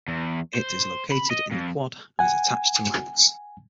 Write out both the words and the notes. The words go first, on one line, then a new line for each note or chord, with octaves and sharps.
It is located in the Quad and is attached to Mac's.
E2
C5
B5
D#5
F2
F#5 G#5